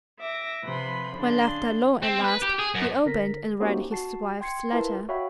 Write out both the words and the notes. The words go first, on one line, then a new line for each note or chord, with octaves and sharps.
When left alone at last he opened and read his wife's letter.
E5 D6 A#6
C3 F3 B4 B5 C6
C#3 D4 C6
C4
B4
G4
G#4
F#2
D3 A#4 A#6 B6
A#3 C4 C#4 D#4 F#4 G4
F#4 A5 C7
G5 C6 G#6 C7 C#7
E4 F4 A#4 B4 A5
F#4 C#5 E5 F5 G5 B5